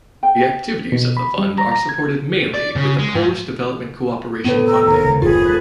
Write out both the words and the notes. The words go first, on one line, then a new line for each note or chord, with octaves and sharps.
The activities of the Fund are supported mainly with the Polish Development Cooperation funding.
G5
B2
B5
G3
A#5
A#5
G#6
D5
C#3
G#3
G#2
A2 C3 B3 B4
G5 A#5 E6
D#2 B2 A#4
C#3 G#3
F#1 A2 G3 B3 F4 G#4
C3 G#3 A4 B4 F#6